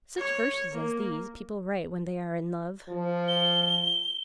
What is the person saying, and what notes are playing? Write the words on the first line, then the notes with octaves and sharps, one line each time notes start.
Such verses as these people write when they are in love!
C#5
A#3
F3
G7